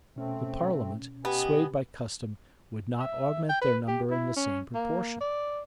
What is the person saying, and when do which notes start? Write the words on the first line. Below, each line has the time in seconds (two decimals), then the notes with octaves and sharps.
The parliament, swayed by custom, would not augment their number in the same proportion.
0.16 B2 A3 C4 C#4
1.25 B3 G4 B4 D#5 G#5
3.00 E5
3.49 G5
3.61 B4
3.88 G4
4.10 E4
4.36 C#4
4.75 A#3
5.21 D5